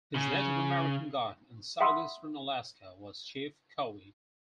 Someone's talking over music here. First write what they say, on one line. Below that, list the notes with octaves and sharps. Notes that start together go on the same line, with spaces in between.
His Native American guide in southeastern Alaska was Chief Kowee.
C#3
E5 F#5 B5 C6 D#6 E6